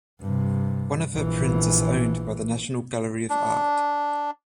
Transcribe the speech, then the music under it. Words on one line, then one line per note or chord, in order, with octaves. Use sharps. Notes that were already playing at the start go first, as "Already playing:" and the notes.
One of her prints is owned by the National Gallery of Art.
G2 C3
A#1 E3
D4